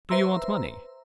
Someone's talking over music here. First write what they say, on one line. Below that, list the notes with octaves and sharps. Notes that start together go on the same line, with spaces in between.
Do you want money?
B4 C5 E5 A#5 C6 E6